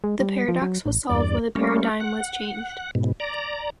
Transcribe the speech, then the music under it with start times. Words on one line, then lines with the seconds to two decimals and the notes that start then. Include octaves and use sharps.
The paradox was solved when the paradigm was changed.
0.04 G#3
0.20 G3
0.48 F3
0.62 F#3
0.86 A1
1.09 E2 G2 D5
1.55 G3 A3 A#3 C#4
2.00 F#5
2.95 G#2 B2
3.20 D5 A#5